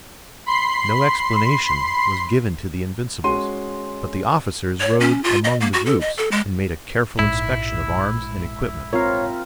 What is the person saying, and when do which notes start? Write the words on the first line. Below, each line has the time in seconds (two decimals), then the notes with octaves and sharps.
No explanation was given to the Invincibles, but the officers rode among the groups and made a careful inspection of arms and equipment.
0.46 B5 C6 C7
3.24 G#3 C#4 F#4 C6 D#7
4.80 C#5
5.00 C#4
5.24 F4
5.44 D#5
5.60 A#3
5.73 F#4
5.86 A4
6.00 D#5
6.18 A4
6.31 G#3
7.19 A#1 G#2 E4
8.93 C4 F4 A#4 C#5 F5